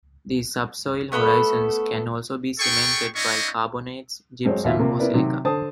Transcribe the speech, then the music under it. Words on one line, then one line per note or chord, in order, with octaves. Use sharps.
These subsoil horizons can also be cemented by carbonates, gypsum or silica.
A3 B3 A4 B5
B3 G#4 A4 G5 C#6
C4 D4 E4 D#5 F5 C#6
G#1 F#3 C5 C#5
D#2 B2 F3 F4 E5
C3 A#3 F4
B3 E4 A#4 B4 D5
C3 D#3 F#3
D3 C5 A5 D#6